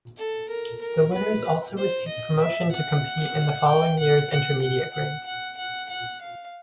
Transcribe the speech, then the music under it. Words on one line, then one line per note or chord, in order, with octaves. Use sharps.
The winners also receive promotion to compete in the following years intermediate grade.
A4
A#4
A#4
B4
C5
D#5
E5
F#5
G5
F#5
F#5
F#5
F#5
F#5
F#5
F#5
F5